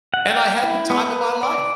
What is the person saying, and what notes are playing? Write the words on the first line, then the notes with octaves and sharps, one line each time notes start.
and I had the time of my life.
F#5
G5
E4
B3
B4
D5